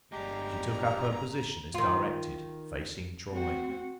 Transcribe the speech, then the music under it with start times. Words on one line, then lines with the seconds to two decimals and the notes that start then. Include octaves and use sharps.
She took up her position as directed, facing Troy.
0.12 G1 G#3 D4 G4 A#5
1.74 D#3 F4
3.30 C4 F#4